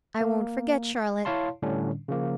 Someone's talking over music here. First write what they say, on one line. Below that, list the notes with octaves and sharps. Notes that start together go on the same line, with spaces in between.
'I won't forget, Charlotte.'
A#3
E4 C#5 F5 A5 C6
A2 D3 G3 C#4 D4
C#3 F3 A#3